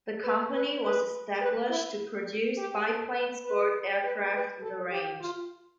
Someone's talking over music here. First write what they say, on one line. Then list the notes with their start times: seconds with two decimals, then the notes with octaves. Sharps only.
The company was established to produce biplane sport aircraft in the range.
0.24 B4
0.53 B4
0.83 B4
1.41 B4
1.70 E4
2.57 G4
2.86 A4
3.15 B4
3.45 B4
4.03 B4
4.33 B4
4.62 A4
4.91 G4
5.21 F4